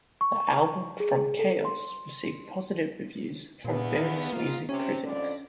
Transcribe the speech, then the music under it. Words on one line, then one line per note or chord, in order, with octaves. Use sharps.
The album "From Chaos" received positive reviews from various music critics.
C#6
G#4
A4
C6
E2 G2 A#2 B3
D#3
G#2 A#3 F4
C3 C#4
F2 D3 D5